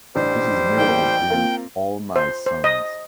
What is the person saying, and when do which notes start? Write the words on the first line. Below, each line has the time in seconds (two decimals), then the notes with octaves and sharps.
This is mirrored in "All My Sons".
0.16 A1 G3 D4 C5
0.77 A1 A#3 G5
1.30 A#3 C4 F4
2.16 C5
2.46 C5
2.64 D#5